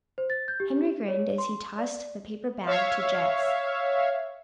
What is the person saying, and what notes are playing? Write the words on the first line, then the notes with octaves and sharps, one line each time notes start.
Henry grinned as he tossed the paper bag to Jess.
C5
A6
G6
G4
C#5
C6
D5
C#5 E5 F5